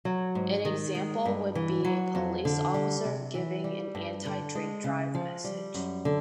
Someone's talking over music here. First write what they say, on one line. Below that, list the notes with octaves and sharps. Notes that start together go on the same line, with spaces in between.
An example would be a police officer giving an anti-drink drive message.
F#3
G#2
D#3
G#3
G2
E3
F#3
F2
D3
G3
C3
E3
G3
G2
D3
G#3
C#3
F3
G3
F#2
D3